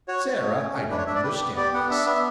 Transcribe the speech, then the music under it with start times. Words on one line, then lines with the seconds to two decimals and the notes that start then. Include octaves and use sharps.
Sarah, I don't understand this.
0.08 F#4 C#5
0.25 F#4
0.41 A3
0.58 C#4
0.73 A3
0.90 D4 B4
0.98 C#5
1.07 D4 E5
1.16 D5
1.23 G4 B4
1.41 B3
1.56 G4 D5
1.74 B3 F#5
1.90 D4 E5
2.06 B3 E5